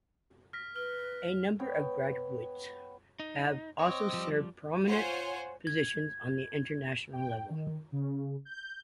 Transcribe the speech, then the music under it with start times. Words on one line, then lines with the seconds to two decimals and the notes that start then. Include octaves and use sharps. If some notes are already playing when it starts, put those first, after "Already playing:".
A number of graduates have also served prominent positions on the international level.
0.53 F6 A#6 B6
0.76 B4 F6 G7
1.60 B3 C#5 G5
3.20 D#4
3.79 C4 C#5 D#5 D6
4.14 F3 G3
4.86 F4 C5 C#5 F#5 G#5
5.67 G#6
7.13 G5
7.50 D#3
7.92 C#3
8.45 G6